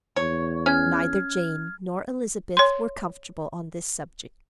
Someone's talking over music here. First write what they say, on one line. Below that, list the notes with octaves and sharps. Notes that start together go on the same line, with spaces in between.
Neither Jane nor Elizabeth were comfortable on this subject.
E2 C#5
C#4 F6 G#6
C#5 C6